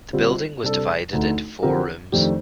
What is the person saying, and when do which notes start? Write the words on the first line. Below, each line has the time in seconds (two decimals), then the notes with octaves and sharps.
The building was divided into four rooms.
0.13 D3 G3 C4 F4
0.63 C3 G3 D4 A4
1.13 D2 D3 A3 D#4
1.63 D3 F3 C4 G4 A#4
2.12 F2 D#3 A3 D4 G4